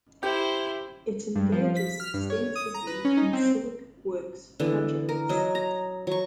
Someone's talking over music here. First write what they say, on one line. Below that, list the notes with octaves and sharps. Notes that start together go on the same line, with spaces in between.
It engages extensively in civic works projects.
E4 G4 C5
G2
F3
B6
F6
G2
C#5
D#6
A#5
B4
C#4
D#4
C4
D3 E3 B3
A#4
F#3 D#5
A#5
F#3 C#6